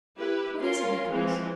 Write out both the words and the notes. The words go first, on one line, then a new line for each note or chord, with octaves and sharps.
"What is it, Nicholas?"
E4 G4 B4
C#4 F4 A#4 C6
E3 F3 G#3 C4